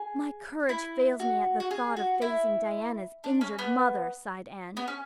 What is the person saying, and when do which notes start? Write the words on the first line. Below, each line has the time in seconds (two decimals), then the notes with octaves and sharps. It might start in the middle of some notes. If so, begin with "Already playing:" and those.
"My courage fails me at the thought of facing Diana's injured mother," sighed Anne.
Already playing: G#4
0.69 E4
1.20 F#4
1.60 F#4
1.71 G#4
1.97 F#4
2.22 E4
3.24 D4
3.41 C#4
3.59 B3
4.77 B3
4.88 C#4